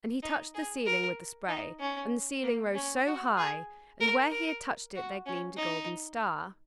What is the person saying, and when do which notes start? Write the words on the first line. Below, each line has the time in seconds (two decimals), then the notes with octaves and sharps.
And he touched the ceiling with the spray, and the ceiling rose so high, and where he had touched it there gleamed a golden star.
0.23 D#4
0.54 G#4
0.86 A#4
1.48 D#4
1.80 C#4
2.43 A#3
2.75 C#4
3.06 F#4
3.37 G#4
4.01 A#4
4.31 A#4
4.95 F#4
5.26 C#4
5.57 D#4